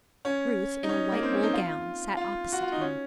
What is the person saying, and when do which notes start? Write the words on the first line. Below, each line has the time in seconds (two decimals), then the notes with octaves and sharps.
Ruth, in a white wool gown, sat opposite him.
0.25 C#4
0.83 D#4
0.89 C#4
1.12 A#3
1.23 C4
1.33 C#4
1.43 D#4
1.53 F4
2.17 F4
2.53 F#4
2.62 F4
2.72 D#4
2.81 C#4